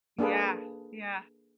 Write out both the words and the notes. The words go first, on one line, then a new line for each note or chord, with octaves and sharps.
Yeah, yeah.
A#3 D4 G#4 A4 B4